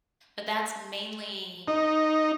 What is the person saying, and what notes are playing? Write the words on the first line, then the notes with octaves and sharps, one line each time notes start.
But that's mainly,
D#4